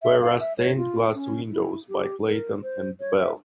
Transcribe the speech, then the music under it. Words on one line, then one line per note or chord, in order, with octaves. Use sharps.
There are stained glass windows by Clayton and Bell.
E5
F5
E5
C#5
F4
C#4
E4
G4
A#4
C5
C#5
E5